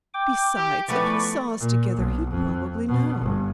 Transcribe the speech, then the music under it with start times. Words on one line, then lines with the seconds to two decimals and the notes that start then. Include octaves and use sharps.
Besides, if he saw us together he'd probably know.
0.14 G5 D6
0.56 G4
0.88 E3 F3 A3 B3 B4 D5 C#6
1.60 A#2
1.97 B1
2.30 F2
2.88 B2
3.22 G1